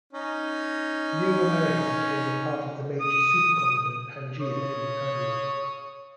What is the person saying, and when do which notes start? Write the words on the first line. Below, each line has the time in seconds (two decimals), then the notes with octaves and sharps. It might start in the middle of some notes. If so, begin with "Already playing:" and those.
Euramerica became a part of the major supercontinent Pangaea in the Permian.
0.13 C#4 D#4
3.01 D#6
4.40 C#5 D#6